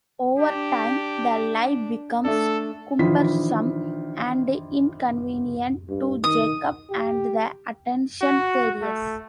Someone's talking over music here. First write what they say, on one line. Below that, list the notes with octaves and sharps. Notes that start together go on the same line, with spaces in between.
Over time, the lie becomes cumbersome and inconvenient to Jacob, and the attention tedious.
D4 G4
A3 D4 A4
A#1 D#3 E3 F4 B6
G2
D#3 D#6
G4
F#4
A3